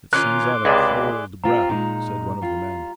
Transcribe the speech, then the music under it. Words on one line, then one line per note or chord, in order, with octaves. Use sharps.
"It sends out a cold breath," said one of the men.
D#3 C#4 F4 C6 D6 F#6
C#2 C3 E4 G#4 D5
C4 F4 G4 A#5
A#2 G#3 D#4
G3 F4